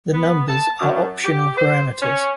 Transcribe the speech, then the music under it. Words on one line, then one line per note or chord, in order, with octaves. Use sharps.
The numbers are optional parameters.
B3
A5
F#2
G4
C5
C#4